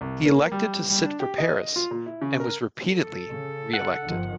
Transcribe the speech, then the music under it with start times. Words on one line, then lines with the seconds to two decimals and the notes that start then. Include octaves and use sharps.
He elected to sit for Paris, and was repeatedly re-elected.
0.01 C2
0.25 A#3
0.52 G3
0.90 G3
1.04 D4
1.20 G4
1.38 D#5
1.76 F4
1.91 A#2
2.06 E4
2.21 C#3
2.40 A#4
2.85 A4
3.31 C#3
3.74 F#5
4.05 G1 D#3 F3